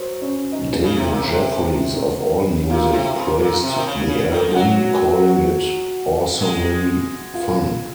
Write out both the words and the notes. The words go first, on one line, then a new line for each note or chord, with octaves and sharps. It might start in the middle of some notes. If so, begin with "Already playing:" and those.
David Jeffries of AllMusic praised the album, calling it "awesomely fun".
Already playing: F#3 C5
C#4 C#5
D#4 D#5
C#3
C3
A#2
C3
A#2 F4 F5
C3
G#2
A#2
C3
D#3
C#3
C#3
D#3
F3
F#3 F#4 F#5
G#3
F4 F5